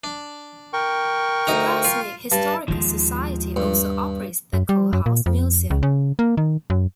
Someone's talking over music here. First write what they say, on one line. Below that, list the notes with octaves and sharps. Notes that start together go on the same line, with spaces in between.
The Grass Lake Historical Society also operates the Coe House Museum.
D4
A#4 G5 C#6
D2 D#4 A#5
F4
G2 A5
D#2 F3 G#3 E4
G2
F#2
G3
F#2
A#2
F2
C#2
C#3
A#3
D#3
F#2